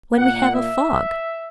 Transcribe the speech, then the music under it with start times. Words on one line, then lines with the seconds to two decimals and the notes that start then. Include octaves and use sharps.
"When we have a fog."
0.17 A#2 A#3 F#5
0.54 E5